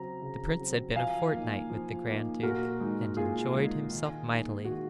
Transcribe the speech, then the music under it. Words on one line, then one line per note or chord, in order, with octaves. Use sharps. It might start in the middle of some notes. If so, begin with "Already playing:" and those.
The prince had been a fortnight with the grand duke, and enjoyed himself mightily.
Already playing: C#3 F#3 C4 A#5
C#3
F#3 C4
F3 F5 G#5
A#3 D#4
F3
A#3 D#4
A#2 F#4 A#4
G#3 D#4
A#2 F4 G#4
G#3 D#4
D#3
A#3 D#4
D#3 F#4